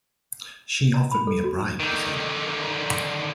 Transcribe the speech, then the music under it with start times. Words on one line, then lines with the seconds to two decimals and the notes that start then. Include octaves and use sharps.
She offered me a bribe, he said.
0.94 A#5
1.11 B5
1.27 A4
1.44 F#4
1.80 D3 D#3